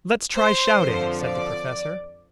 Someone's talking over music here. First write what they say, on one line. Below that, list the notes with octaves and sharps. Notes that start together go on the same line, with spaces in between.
"Lets try shouting," said the Professor.
C5
F2 D3 F3
D5